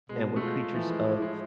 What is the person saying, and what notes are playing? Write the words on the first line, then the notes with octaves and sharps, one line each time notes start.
and we're creatures of
B2 G#3
A3
G#3 F4
E3 F3
G#3
G#3 E4
G#3